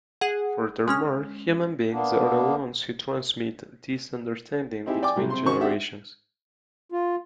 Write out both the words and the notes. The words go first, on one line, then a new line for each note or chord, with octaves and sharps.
Furthermore, human beings are the ones who transmit this understanding between generations.
G#4 F#5
G#3 C#4 F6
A#3 B3 D4
C4 D#4 E4 G4 G#4
D5 G5 G#5 D6
C3 F#3 G3
C3 C4 C6
D#3 C#4 D#4 F#4 C5 C#6
C4 D4 F#4 G4 E5 F#5
F4